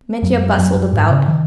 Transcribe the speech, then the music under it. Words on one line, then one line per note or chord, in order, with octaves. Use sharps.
Mitya bustled about.
F#2
F#2
F#2
G#2
C#3
D#3